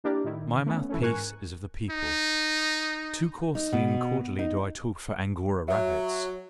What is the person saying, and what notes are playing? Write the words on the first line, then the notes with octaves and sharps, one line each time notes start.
My mouthpiece--is of the people: too coarsely and cordially do I talk for Angora rabbits.
A#3 D4 E4 G4 A#4 D5
A2 D#3 E4
A3 B3 C#4
E3 A3 C#4
G#2 A#4 G#5 C#6 F#6
D#4
D#4
B2
D#4
F#3 E5